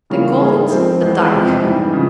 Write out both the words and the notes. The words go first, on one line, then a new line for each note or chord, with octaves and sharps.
They called it a dyke.
C#3 E3 G3 A#3 F4
G#2 G3 A#3 E4 G#4
F3 C4 G4 C5
E2 E3 G#3
F2 C3 F3 C4 G4
G#2 E3 G3
C#3 F3